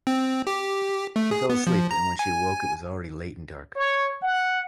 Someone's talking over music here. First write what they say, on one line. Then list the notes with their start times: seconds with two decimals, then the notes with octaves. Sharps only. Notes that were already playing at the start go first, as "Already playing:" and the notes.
She fell asleep, and when she awoke it was already late and dark.
0.07 C4
0.47 G4
1.16 A3
1.31 G#4
1.50 B3
1.67 F3
1.91 A#5
2.19 G#5
3.76 C#5
4.22 F#5